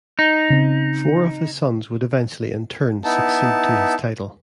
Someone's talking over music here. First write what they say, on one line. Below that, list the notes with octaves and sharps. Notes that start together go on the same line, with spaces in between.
Four of his sons would eventually in turn succeed to his title.
D#4
C#3 C4
B3 D#4 E4 A5